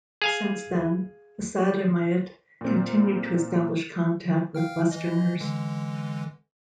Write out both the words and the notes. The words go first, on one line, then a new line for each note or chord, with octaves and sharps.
Since then, the Sadlermiut continued to establish contact with Westerners.
G#4 F5 G#5
A#2 C4
F5 G5 F6
E3 D#5
D3 E3 G#3